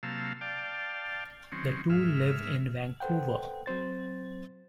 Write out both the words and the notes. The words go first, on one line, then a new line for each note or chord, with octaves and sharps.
The two live in Vancouver.
C3 F#3 A#3 F5 A5 E6
D5 F5 G5 A5
D#3 F#3 C4 C#4
G#2 E5 F6
A4 B4 C5 F#5 G5
F#3 C4 C5 A6